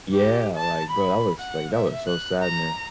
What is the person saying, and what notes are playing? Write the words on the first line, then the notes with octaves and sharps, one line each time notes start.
Yeah. Like, bro, that was, like, that was so sad, man.
G4
A5
B5
F#5
E5
F#6
A#5